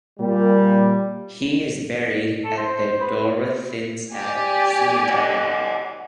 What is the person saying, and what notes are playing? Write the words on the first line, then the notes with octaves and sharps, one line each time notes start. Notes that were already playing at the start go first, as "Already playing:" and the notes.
He is buried at the Dorotheenstadt Cemetery.
A#2 G3
A4
C5
B4
G4 D5 G#5
C#5 D#5 F#5